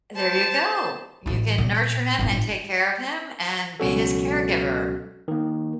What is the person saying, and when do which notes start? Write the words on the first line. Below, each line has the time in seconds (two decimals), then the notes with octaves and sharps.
There you go. You can nurture him and take care of him and be his caregiver.
0.15 C5 A5
1.26 A1 E3
1.58 A#2
2.19 G1 A2
3.80 C#2 B2 F#3 C#4 F#4 A4
5.28 D#3 A#3